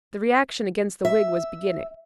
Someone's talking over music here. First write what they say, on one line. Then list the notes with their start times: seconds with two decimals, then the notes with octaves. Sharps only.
The reaction against the wig was beginning.
1.05 E5